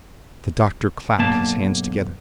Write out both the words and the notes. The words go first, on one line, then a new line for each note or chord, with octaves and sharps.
The doctor clapped his hands together.
B1 G2 A#3 A5